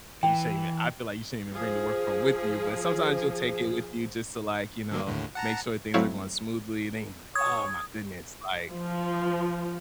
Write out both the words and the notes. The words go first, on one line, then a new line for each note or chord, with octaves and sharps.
you shouldn't even, I feel like you shouldn't even bring the work phone with you, but sometimes you'll take it with you just to like, you know, make sure things are going smoothly, it ain't, "Oh my goodness, like,
E3 G5
F3 G#4
D3 F#3 A#3
D#2 A2 D3
F#5 A5 A#5
F#3 A3 C4 E4 C#5 F5
C#5 D#6 G#6
F3